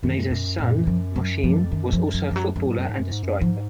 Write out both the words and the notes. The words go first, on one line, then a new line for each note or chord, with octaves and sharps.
Nader's son, Mohcine, was also a footballer and a striker.
F#2 D#3
B2
A#2
F#2 F3
F#3
F3
F2
F#2 D#3
F3
F#3
F3
F#3
F#2 F#3
G#2
F#2
G#2
F#2
G#2
F#2
G#2 F3